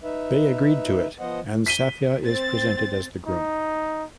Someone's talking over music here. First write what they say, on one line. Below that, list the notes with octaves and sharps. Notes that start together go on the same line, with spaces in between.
They agree to it and Sathya is presented as the groom.
D#4 B4 E5
F3 B3 C5 D#5 F#5
B6 D#7 G7
C4 A6
D#4